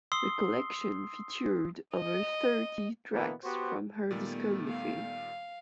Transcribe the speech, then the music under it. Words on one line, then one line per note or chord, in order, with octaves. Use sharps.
The collection featured over thirty tracks from her discography.
C6 D#6 E6 C7 G7
D#5
B2 D3 E3 A#3 B3 B4
B3 F#4 G4 C5
A#2 D#3 G3 A3 B3
F5